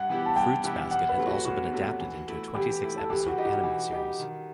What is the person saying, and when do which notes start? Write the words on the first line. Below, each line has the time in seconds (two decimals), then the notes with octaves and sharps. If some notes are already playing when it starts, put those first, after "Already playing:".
"Fruits Basket" has also been adapted into a twenty-six-episode anime series.
Already playing: G2 F#5
0.09 E3 B3 E4 G4
0.26 A5
0.36 G2 G5
0.64 E3 B3 E4 G4
0.91 E2 F#5
1.09 B4
1.18 C3 F#3 A3
1.27 F#4
1.45 E2 F#4
1.73 C3 F#3 A3
2.00 E3
2.28 A3 E4
2.55 E3 G4
2.83 A3 E4
2.97 A4
3.10 E3 G4
3.27 F#4
3.37 G3 D#4 G4
3.45 F#4
3.63 E3
3.91 G3 D#4 G4
4.19 D#3